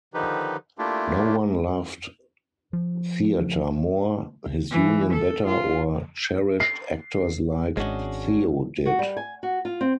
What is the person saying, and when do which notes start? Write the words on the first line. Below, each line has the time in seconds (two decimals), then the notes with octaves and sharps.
No one loved theater more, his union better or cherished actors like Theo did.
0.14 D3 D#3 F3 D#4 G4 B4
0.78 A3 A#3 D4 E4 F4 G4
2.73 F3
4.71 E3
5.13 A4
5.46 F4
6.60 C7
7.77 G#1 G#3 C#4 D4 F#4 D#5
8.86 F#4
8.99 G3
9.17 G#5
9.43 F#4
9.65 F4
9.81 C4